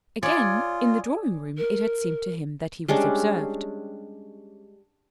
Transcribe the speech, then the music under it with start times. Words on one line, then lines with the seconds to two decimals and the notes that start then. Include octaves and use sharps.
Again, in the drawing-room it had seemed to him that he was observed.
0.23 F4 G#4 C#5 D5
1.57 A#4
2.88 G3 G#3 C#4 D4